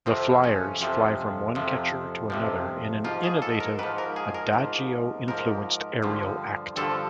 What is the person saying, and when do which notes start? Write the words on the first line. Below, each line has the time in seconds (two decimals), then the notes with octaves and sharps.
The flyers fly from one catcher to another in an innovative adagio-influenced aerial act.
0.06 F2 C3 F3 C4
0.44 C#4
0.82 F2 C3 F3
1.55 F2 C3 F3
2.30 F2 C3 F3
3.04 G#2 F3 F4
3.23 G#4
3.42 A4
3.60 A#4
3.79 G#2 F3 B4
3.98 A#4
4.16 G#4
4.34 A#4
4.53 G#2 F3
5.28 G#2 F3 A#4
6.03 G2 D3 F3
6.77 G2 D3 F3 A4